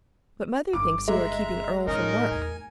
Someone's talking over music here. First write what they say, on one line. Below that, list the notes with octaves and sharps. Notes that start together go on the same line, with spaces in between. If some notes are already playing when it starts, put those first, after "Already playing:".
"But mother thinks you are keeping Earle from work."
G1 D3 D6
G#3 E5 A#5
A2 E3 C#4 D#4 A#4 D#5
E2 A3 G#5